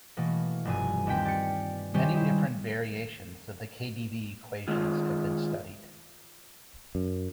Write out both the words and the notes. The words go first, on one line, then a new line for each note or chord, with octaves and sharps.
Many different variations of the KdV equations have been studied.
B2 E3 A3 A#3
F1 G2 G#5
D#2 C4 G5 B6
D5 C#7
D#3 G3 G#3 C#4 G4 C5
G#3 E4
D#3 G#3 F4
F#2